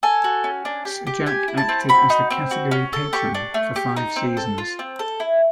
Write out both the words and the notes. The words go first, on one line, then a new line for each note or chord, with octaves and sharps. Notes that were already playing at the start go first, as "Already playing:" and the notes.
Sir Jack acted as the category patron for five seasons.
A4 G#5
F#4
C#4
D4
G4
G4
G4 G#5
E4
A5
C4
F#4 B5
D#4
C4
F#4
C#4
A4
G4 C#6
D4
A3
G4
D#4
C4
A4
F4
C4
A4
E4